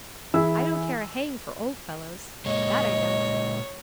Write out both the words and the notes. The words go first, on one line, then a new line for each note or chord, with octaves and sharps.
"I don't care a hang for old fellows, that I don't!"
E3 E4 G#4 G#5 E6
A#2 G#3 C#5 D#5